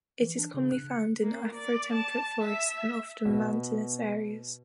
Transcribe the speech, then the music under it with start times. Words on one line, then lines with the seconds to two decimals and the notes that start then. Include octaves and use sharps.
It is commonly found in afro-temperate forests and often in mountainous areas.
0.20 E3
0.37 D4
0.54 C#3
0.72 F#6
0.90 C#7
1.23 A#3
1.54 D5
1.93 A5
2.43 E5
3.25 B2 B3